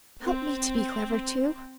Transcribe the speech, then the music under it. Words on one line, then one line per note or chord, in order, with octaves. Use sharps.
Help me to be clever too.'
C4